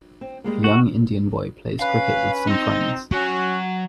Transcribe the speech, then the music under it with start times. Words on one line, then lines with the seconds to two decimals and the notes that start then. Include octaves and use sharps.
A young Indian boy plays cricket with some friends.
0.21 C4
0.44 G3 G#3 A#3
0.64 C3 F#4
1.79 C#4 B4 F5
2.47 C4 D#4
3.11 F#3 C#4 F#4